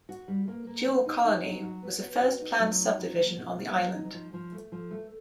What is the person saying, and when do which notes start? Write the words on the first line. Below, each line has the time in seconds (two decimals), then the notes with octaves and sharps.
Jewell Colony was the first planned subdivision on the island.
0.09 F#4
0.28 G3
0.48 A#3
0.67 A#3
0.86 D4
1.06 D#4
1.25 D#4
1.44 F#3
1.63 F#4
1.82 B3
2.01 B3
2.21 F#4
2.41 D#4
2.60 F#3
2.78 D#4
2.98 F#3
3.18 A#3
3.37 B2
3.56 A#3
3.75 F#3
3.95 D#4
4.14 F3
4.33 F3
4.52 A3
4.72 F3
4.91 A3